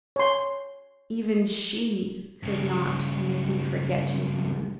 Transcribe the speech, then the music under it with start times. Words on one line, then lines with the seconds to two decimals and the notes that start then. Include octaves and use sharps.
Even SHE could not make me forget you, Helen.
0.16 C#5 C6
2.43 G2 C#3